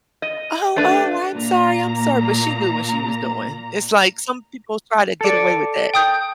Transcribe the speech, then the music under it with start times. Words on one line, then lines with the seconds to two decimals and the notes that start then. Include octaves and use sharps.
"Oh, oh, I'm sorry, I'm sorry," but she knew what she was doing. It's like some people try to get away with that.
0.22 D#5
0.76 A3 D4 B4
1.33 A#2 A#5
5.21 A4 D5
5.94 G5 D#6 G6